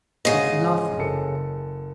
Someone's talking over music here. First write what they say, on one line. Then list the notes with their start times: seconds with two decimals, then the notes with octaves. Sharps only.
"With nothing."
0.25 G#2 C#3 G#4 D#5
0.98 F#1 A4 C#7